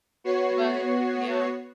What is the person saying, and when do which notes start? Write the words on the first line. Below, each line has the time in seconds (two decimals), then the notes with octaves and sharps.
But yeah.
0.24 B3 F#4 C#5 C7